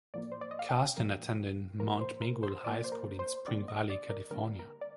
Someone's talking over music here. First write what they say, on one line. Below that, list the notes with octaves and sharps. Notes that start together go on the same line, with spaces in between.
Karstens attended Mount Miguel High School in Spring Valley, California.
A2 F3 A#3 D5
C5
D5
D#5
F5
G5
A2 F3 A#3 A#4
A2 F3 A#3 A#4
C5
A#4
C5
A2 F3 A#3 D5
C5
A#4
C5
D3 G3 A#3 D5
D#5
D5
A#4
D3 G3 A#3 A#4
A#4
D5